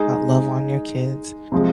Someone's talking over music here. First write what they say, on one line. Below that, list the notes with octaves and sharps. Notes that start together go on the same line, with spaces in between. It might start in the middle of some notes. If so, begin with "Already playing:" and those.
love on your kids.
Already playing: G#3 D#4 G#4
C3 F3 G#3